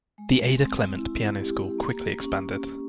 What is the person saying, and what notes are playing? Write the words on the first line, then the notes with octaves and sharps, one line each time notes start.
The Ada Clement Piano School quickly expanded.
G#3
C4
E4
G4
A#3
C#4